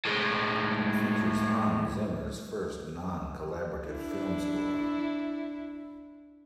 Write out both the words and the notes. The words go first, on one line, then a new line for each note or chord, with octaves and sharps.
It features Hans Zimmer's first non-collaborative film score.
A2 G#3
D4 E4